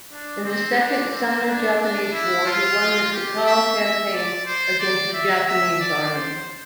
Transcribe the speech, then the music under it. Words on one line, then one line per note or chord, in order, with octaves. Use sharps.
In the Second Sino-Japanese War, he won the Cheqiao Campaign against the Japanese Army.
D4
C4
D4
C4
D4
D4
E4
F4
G4
E5
E5
D5
C5
D5
E5
E5
D5
C5